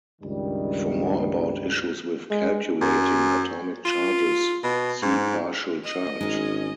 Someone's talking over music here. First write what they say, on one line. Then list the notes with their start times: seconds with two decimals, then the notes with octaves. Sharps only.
For more about issues with calculating atomic charges, see partial charge.
0.22 C#2 G2 D#3 G3
2.30 G#3
2.81 F#2
3.85 F4
4.64 B2
5.02 G#2
5.84 D#5
6.21 G#1 G#3 C#4 D#4